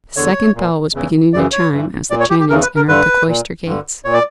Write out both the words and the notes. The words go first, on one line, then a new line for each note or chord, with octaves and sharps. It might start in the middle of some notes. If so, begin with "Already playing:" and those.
The second bell was beginning to chime as the Channings entered the cloister gates.
E2 D3 C#5
A#2
E2 C#3 E3
F#2 C#3 E3 D5
C#5
G2 E3
A#2 D5
C#5
G4
G4
E2 C#3 E3 A#4
B4
A#4
G2 D3 B4
A#2
G2 D3
A#2 C#5
D5